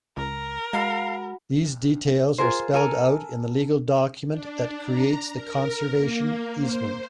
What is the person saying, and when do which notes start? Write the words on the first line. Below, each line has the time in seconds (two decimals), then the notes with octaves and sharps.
These details are spelled out in the legal document that creates the conservation easement.
0.17 C#2 A#4
0.73 G#3 F#4 F5 A#5 B5
2.38 F4 G#4 A#4 C5
2.74 A4 A#4 G#5 A#5
4.30 D4
4.83 A#5
5.34 A#4
5.96 A#3
6.58 C5